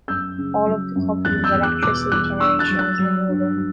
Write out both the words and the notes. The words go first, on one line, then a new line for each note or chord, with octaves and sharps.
All of the company's electricity generation is renewable.
F#2 E6 G6
C#3
F#3
F#2
E2 F#6 A6
E6 G6
E2
D6 F#6
B2 D6 F#6
E2 D6 F#6
D4 C#6 E6
F#6 A6
F#3
F#6 A6
F#3
G2
F#3